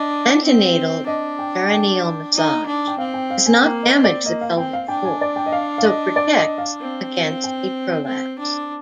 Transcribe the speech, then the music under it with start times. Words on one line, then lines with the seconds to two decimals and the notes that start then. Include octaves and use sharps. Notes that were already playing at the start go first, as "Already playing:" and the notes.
Antenatal Perineal Massage does not damage the pelvic floor, so protects against a prolapse.
Already playing: D4 D#5
0.44 C4
1.07 D4 D#5
1.39 G5
1.71 G5
2.35 D#4
2.66 D4
2.88 G5
2.98 C4 F5
3.14 G5
3.30 F5
3.46 G#5
3.61 A#3 G5
3.83 D#5
3.93 C4
4.04 D5
4.25 A#3 D#5
4.41 F5
4.57 C4 G5
4.73 F5
4.88 D4 G5
5.05 G#5
5.21 D5
5.36 G5
5.46 D#5
5.52 F5
5.78 F5
5.84 D#5
6.16 D5
6.37 D#5
6.58 F5
6.80 C4
7.44 G5
8.07 C4
8.39 D4